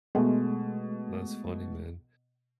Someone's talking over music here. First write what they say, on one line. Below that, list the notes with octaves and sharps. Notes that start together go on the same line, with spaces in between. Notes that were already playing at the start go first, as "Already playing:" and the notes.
That's funny, man.
B2 G#3 A3